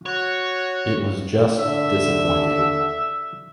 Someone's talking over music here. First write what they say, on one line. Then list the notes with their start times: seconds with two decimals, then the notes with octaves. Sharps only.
It was just disappointing.
0.06 F#4 C#5
1.59 D3 E5